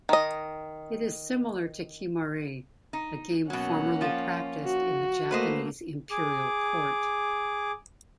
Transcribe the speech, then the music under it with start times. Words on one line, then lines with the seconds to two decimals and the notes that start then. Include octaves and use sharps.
It is similar to Kemari, a game formerly practiced in the Japanese imperial court.
0.09 D#3 D#5
2.93 D#4
3.50 B2 F#3 A#3 C#4 F#5
4.01 F3 F4
4.65 F#4
5.31 A3 A#3 B4 C5 D#5
6.11 G#4 D6